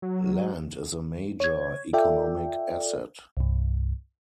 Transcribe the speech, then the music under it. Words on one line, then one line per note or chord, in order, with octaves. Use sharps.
Land is a major economic asset.
F#3
C#5 G#6
F4 A4 D5 E5 G5
C2 G2